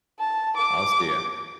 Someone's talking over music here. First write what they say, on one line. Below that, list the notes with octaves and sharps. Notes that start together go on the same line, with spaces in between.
I'll see ya.
A5
D6